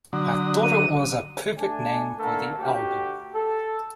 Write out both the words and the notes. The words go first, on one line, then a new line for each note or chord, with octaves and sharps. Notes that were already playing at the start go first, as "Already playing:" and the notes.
I thought it was a perfect name for the album.
D3 F#3 D#6
D#7
A3 D4 G#5
D3 A3 A#3 A4
D2 F#4 G4
A4